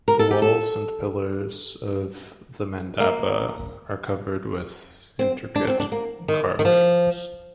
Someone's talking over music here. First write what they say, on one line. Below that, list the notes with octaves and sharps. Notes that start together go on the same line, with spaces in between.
The walls and pillars of the mandapa are covered with intricate carvings.
A#4
A4
G4
A4
A#3
C4
D4
C4
D4
A#3
D#3
D#3
F3